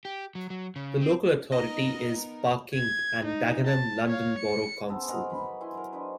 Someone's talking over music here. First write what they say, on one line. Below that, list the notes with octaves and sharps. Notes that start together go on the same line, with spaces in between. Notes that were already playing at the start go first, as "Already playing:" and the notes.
The local authority is Barking and Dagenham London Borough Council.
G4
F#3
F#3
C#3
C4
B3 D#4 A#4 D#5
G#6
D#4
A5
C#5 F5
C#7
C#3 B3 A4 C5
D#4 F#4 G#4 A#4
F#3 B4 B5
E4 F#5 G#5 C6
F#3 A#4
D4 D#4 B4 C5